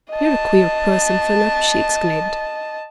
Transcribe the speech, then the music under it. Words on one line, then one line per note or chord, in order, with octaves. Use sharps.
"You're a queer person, Philip," she exclaimed.
D#5 A5